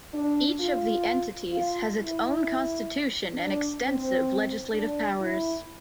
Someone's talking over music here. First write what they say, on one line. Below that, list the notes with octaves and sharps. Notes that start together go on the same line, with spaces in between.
Each of the Entities has its own Constitution and extensive legislative powers.
D4
F4
F4
E4
D4
C4
D4
E4